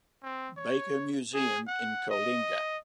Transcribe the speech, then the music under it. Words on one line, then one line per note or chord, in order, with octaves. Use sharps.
Baker Museum in Coalinga.
C4
C#5
G#4
F#5
D#5